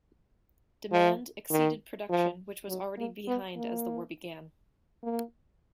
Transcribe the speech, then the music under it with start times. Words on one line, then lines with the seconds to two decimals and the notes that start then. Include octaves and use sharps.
Demand exceeded production, which was already behind as the war began.
0.92 F3
1.50 D#3
2.09 F3
2.68 F#3
2.97 A#3
3.27 B3
3.56 A#3
5.03 A#3